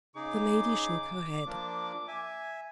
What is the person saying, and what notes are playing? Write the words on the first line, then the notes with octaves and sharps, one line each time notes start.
The lady shook her head.
C#3 D#4 G#4 D6
F3 A#3 D4
E5 G#5